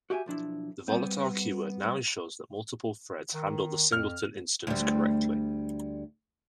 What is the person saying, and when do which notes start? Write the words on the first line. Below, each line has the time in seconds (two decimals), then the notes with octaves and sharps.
The volatile keyword now ensures that multiple threads handle the singleton instance correctly.
0.10 F#4 G4 E5 G5 G#5
0.26 B1 F3 D4 E4
0.88 G3 B3 C4
3.34 D#3
3.92 F2 F6
4.67 D2 G3